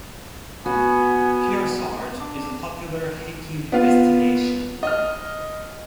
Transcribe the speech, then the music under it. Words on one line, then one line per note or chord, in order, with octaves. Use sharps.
Kearsarge is a popular hiking destination.
B3 F#4 G#5
D4
B3 F4
D#5 F6